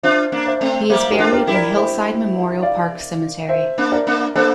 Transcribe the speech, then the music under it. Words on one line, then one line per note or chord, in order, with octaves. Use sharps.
He is buried in Hillside Memorial Park Cemetery.
D4 F4 C5 E5
A#3 D4
C5 E5
A3 C4
G3 A#3 C5 E5
G4 A#4
D4 F4
G4 A#4
E4 G4
A#4 D5
C5 E5
D5 F5
C5 E5
A#3 D4
A#4 D5
A#3 D4
A#3 D4 A4 C5